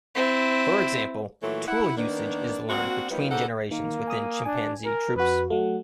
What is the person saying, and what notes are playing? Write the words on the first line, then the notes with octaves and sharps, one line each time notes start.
For example, tool usage is learned between generations within chimpanzee troupes.
C4 E4
A#2 E3 F#3 A3 C#5
E4 F#5
D#3 A#3 B3 D4
A#3 C4 D4 F#4
F#3 G3 A#3 B3 D#4 F4
C#3 D#4 G4 A4 C5 F#5
D#3 A#3
G#5 D#6
D4 G#5
A#4
F2 F#4 B4
F#3 A3 F#5